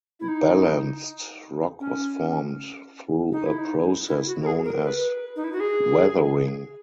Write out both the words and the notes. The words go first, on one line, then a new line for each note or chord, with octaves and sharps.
Balanced rock was formed through a process known as weathering.
E4
D#4
C#4
D#4
E4
D#4
E4
F#4
A#4
G#4
A#4
B4
D#4
E4
F#4
G#4